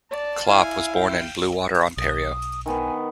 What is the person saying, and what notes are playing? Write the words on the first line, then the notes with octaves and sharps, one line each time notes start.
Klopp was born in Bluewater, Ontario.
D5 A5
E4 F5 G#5
G5
B1 D#6
D#3 B3 G#5